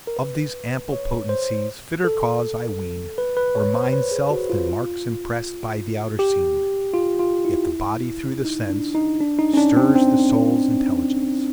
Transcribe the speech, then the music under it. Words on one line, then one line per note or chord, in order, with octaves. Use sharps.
Of these ample potencies Fitter cause, I ween, Were Mind's self than marks impressed By the outer scene. Yet the body through the sense Stirs the soul's intelligence.
A#4
B4
C#5
C5
A4
B4
B4
C#5
C5
B4
G#4
F#4
F4
F4
G4
F4
F4
E4
D#4
D4
D#4
D4
D#4
C#4
D4
C4
C4